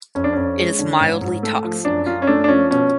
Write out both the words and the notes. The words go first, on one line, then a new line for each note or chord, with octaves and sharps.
It is mildly toxic.
F2 C#4
D4
F2 C#4
G#3
D3
G#2
G#2
A3
F3
F#2 D4
F#2 F4
C#4
A3 D4
D4
F3 C#4
B2 C#4